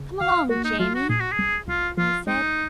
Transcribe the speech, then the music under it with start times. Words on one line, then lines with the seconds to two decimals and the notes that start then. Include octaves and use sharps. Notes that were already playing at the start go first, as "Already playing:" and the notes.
"Come along, Jamie," I said.
Already playing: C#3
0.20 D#2 F5
0.49 A#3 F#4
0.64 D#4
0.79 F#3 F4
0.94 F#4
1.09 A#2 G#4
1.20 F#4
1.32 G#4
1.39 C2
1.68 C2 F4
1.97 F3 F4
2.27 G#3 D#4